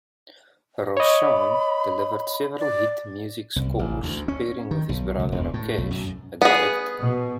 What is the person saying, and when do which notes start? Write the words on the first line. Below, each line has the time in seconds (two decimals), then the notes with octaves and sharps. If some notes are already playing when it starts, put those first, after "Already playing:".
Roshan delivered several hit music scores pairing with his brother Rakesh, a director.
0.97 C#5 D#5 B5
2.59 D5
3.56 C2
3.79 A1
4.03 D2
4.28 C#4
4.71 D#3
4.89 B1
5.19 C#2
5.32 E1
5.54 A2
5.78 B1
5.91 F#2
6.42 B3 G#4
7.02 B2